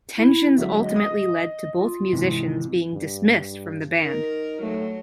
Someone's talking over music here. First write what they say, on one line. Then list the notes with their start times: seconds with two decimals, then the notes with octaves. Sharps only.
Tensions ultimately led to both musicians being dismissed from the band.
0.17 E4
0.57 D3 F#3 G#3 E5
0.83 D#5
0.96 D#6
1.76 F4
2.12 G#2 C3 E3
2.93 G2
3.32 G2
4.01 D#4 A#4
4.62 F#3 A3